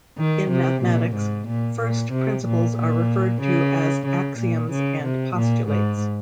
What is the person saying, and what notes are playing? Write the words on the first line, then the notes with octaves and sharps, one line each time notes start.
In mathematics, first principles are referred to as axioms and postulates.
D#3
C3
A#2
G#2
A#2
A#2
C3
A#2
A#2
C#3
C#3
A#2
C#3
C3
A#2
G#2